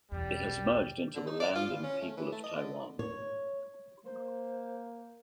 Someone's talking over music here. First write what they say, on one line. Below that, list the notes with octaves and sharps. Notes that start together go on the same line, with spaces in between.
It has merged into the land and people of Taiwan.
B1 E2 G3
D3
D#4
D5
F4
E3
C#4
A3
E3
A3
D#5
D3
C#5
A#3 C5